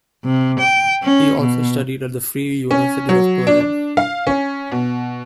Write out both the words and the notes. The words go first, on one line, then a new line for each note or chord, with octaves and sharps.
He also studied at the Free University of Berlin.
C3
G5
C#4
B2
C#4
F#3
D4
D4
F5
C#4
B2